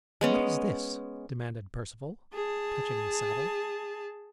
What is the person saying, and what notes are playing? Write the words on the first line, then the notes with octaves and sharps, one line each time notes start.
"What is this?" demanded Perceval, touching the saddle.
G#3 B3 C#4
G#4 A5